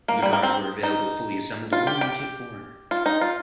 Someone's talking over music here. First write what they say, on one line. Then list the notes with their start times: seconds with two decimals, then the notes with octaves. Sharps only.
The cars were available fully assembled or in kit form.
0.08 A#3
0.22 G3
0.33 A#3
0.43 C4
0.83 D#4
1.73 F4
1.87 G4
2.01 G4
2.91 F4
3.06 D#4
3.21 F4